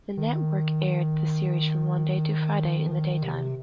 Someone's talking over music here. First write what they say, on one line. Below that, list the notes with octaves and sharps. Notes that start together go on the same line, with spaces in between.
The network aired the series from Monday to Friday in the daytime.
D#3
F3
D#3
C3